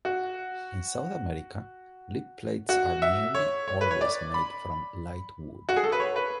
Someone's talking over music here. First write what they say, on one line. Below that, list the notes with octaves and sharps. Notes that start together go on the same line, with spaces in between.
In South America, lip plates are nearly always made from light wood.
F#4
F#4
E5
C#5
C#5
B4
C#5
D5
B5
F#4
G#4
A4
B4
C#5
B4